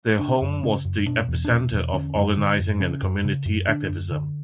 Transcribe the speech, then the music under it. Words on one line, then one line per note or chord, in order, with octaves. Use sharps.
Their home was the epicenter of organizing and community activism.
C#3 D4
F#2
C#3 C#4
F#2
B2 D4
E2
D4
B2 C#4
E2
D3 C#4
F#2
D3
F#2
C#3 C#4
F#2
C#3
F#2
D3 D4
F#2
D3